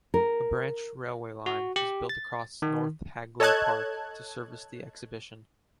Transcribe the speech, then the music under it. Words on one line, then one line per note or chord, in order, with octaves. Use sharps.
A branch railway line was built across North Hagley Park to service the exhibition.
A#4
F#4
G4
A6
D#3
A4 C#5 D#5 A5 F#6 G#6